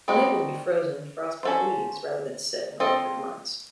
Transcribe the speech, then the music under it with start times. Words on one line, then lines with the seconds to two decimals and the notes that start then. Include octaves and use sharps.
Unable to be frozen, Frostbite leaves rather than sit and await her demise.
0.08 G3 C4 D#4 F#4
1.43 C#4 F#4 A4 C5
2.80 C4 F4 A4 C5 D#5